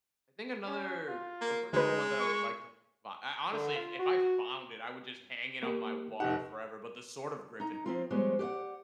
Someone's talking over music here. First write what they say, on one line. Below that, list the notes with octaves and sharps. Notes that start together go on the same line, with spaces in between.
I think another A personal one that I would like to bu I honestly, if if I found it, I would just hang it on my wall forever, but the sword of Gryffindor,
C#4
F4
A#3
D2 G#3 D#4 B4
C#6
D3
F4
F#4
A#3 G4
F1 D#4 G4 F#5
D#4 A#5
F3 C4 F4
F3 G3 G#3 B3 C5 C#5
G4 B4 C#5 D5 F#5